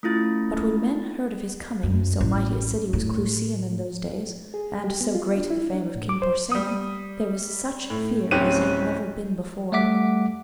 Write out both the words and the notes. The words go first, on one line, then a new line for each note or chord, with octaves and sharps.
But when men heard of his coming, so mighty a city was Clusium in those days, and so great the fame of King Porsenna, there was such fear as had never been before.
A3 C#4 E4 F4 A6
F#2
A1
A2
G#4
G4
B3
F4
D4
E4
D4
A2
D6
C5
G3 D#6
A2
D1 C4 C#4 G4 F#6 D#7
G3 A3 E5 F#5 D6 B6